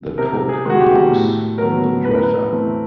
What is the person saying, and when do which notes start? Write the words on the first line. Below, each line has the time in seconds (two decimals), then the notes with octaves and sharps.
The cook knocks on the dresser.
0.18 C3 A#4
0.49 G#4
0.65 D#3 G#3 F#4
0.80 G4
1.11 A2
1.58 F#3 B3 A#4
2.05 A2 B4
2.14 A#4
2.24 B4
2.51 E3 A3 C4